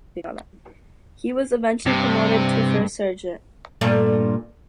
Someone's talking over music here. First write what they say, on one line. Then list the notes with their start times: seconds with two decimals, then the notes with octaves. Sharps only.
He was eventually promoted to First Sergeant.
1.86 G2 C3
3.81 G2 A#2 A3